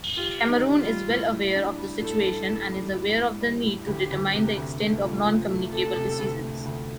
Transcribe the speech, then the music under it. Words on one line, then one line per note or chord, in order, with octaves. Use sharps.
Cameroon is well aware of the situation and is aware of the need to determine the extent of non-communicable diseases.
F4 G4
G4
D#4
G4
F4
G3
A2
A2
D4
G3
A2 A4
G3
A2
G3
A2
A2
G3
A2
D2 G4
D2
C3
D2
A3
F3
F3
A3
C3 A4
C3
D2
A3
D2